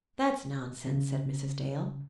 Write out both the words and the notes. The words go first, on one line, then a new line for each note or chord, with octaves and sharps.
"That's nonsense," said Mrs. Dale.
C#3